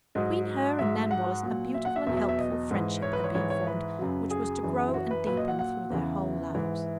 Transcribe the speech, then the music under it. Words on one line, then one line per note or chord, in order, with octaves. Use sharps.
Between her and Nan Wallace a beautiful and helpful friendship had been formed which was to grow and deepen through their whole lives.
G#2 F#3 D#5
G#2 F#3 E5
F#5
A#2 F#3
E5
F#5
E5
E2 B2 F#3 E5
E5
E5
D#5
G#2 E3
C#5
B4
C#5
G#2 E3 C#5
C#5
B4
F#2 C#3 F#3
G#4
F#2 E3
E4
F#4
B4
A#2 F#3 B4
D#5
F#5
F#5
E2 C#3 E3
G#2 E3